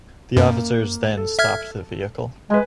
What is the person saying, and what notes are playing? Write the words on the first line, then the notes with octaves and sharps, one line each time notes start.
The officers then stopped the vehicle.
F#2 A#3
A4
E5 F6 G#6
G#3 B4 G#5